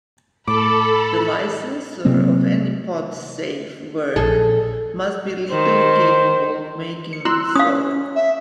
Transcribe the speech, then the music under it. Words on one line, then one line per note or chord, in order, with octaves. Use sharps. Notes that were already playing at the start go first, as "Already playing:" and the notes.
The licensor of any podsafe work must be legally capable of making it so.
A2 A4 B5 D6
C3 F#3 A#3 C4
A#1 G#4 A4
D#3 C5
C#7
E4 C6 E6 F#6
C#4 F5 D#6
E5